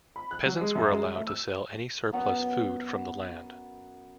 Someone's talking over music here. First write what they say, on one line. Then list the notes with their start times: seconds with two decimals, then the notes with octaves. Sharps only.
Peasants were allowed to sell any surplus food from the land.
0.16 B5
0.31 F#6
0.45 F#3
0.61 G#3
0.75 F#2
0.90 G#3
1.02 G3
1.15 A3
1.27 E6
2.13 F#2 B3 F#5 A#5